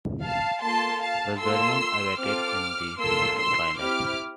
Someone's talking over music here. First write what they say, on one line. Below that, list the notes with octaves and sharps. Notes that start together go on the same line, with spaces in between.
The Germans awaited in the final.
F5 A5
A#3 F4 A4 A5 C6
F5 A5
A#3 F4 A4 C6 E6
C4 F4 A4 D6 F6
A#3 F4 A4 C6 E6
C6 E6
C4 E4 G4 D6 F6